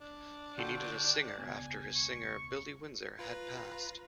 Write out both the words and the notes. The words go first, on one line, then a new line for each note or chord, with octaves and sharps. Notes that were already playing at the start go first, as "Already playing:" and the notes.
He needed a singer after his singer, Billy Windsor, had passed.
D4
D3 F4 F#4 A4 G5
E1 C#2 B3 G#5
C#6
F4 B4 A#5